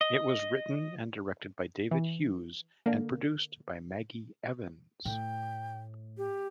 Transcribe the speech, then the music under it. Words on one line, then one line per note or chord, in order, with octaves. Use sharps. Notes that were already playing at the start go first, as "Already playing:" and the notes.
It was written and directed by David Hughes and produced by Maggie Evans.
D#5
E3
D3 A#3
A2 G5
G4